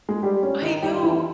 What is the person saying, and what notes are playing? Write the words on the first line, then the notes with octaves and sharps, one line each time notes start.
I know.
G#3 G#4
G3 G4
C#4
D#3 D#4
G3 G4
E3 E4